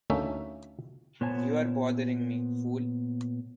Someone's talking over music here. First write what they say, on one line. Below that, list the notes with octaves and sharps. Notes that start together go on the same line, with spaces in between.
You are bothering me, fool! ...
D2 A3 A#3 C#4 D#4 E5
A#2 B3 C5 C#5 G#5 A5